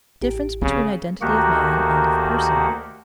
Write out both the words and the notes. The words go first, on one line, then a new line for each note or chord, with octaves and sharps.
Difference between Identity of Man and of Person.
A1 G4
C#3 C4
D2 D#3 A#3 F#4 G4 F#5